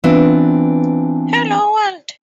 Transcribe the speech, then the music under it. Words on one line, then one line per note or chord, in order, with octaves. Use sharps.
Hello World!
E3 B3 C4 D4 F4